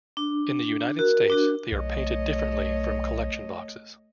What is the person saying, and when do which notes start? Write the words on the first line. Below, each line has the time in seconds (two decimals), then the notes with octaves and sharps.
In the United States, they are painted differently from collection boxes.
0.17 D4
0.99 F#4 A#4
1.30 D4 F#4
1.72 B1 A3 C#5 D#5